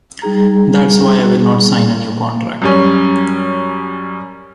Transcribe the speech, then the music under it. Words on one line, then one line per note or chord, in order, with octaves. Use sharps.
That's why I will not sign a new contract.
G3 D#4 G#4 A#5
F#2 G3 C#4